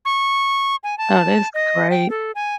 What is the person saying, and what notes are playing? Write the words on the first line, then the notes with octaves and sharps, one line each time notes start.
Oh, that's great.
C#6
G#5
A5
D#5
G5
A4
G#5